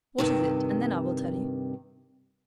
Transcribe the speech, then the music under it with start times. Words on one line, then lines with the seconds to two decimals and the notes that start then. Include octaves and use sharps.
"What is it, and then I will tell you?"
0.18 G2 C3 D#3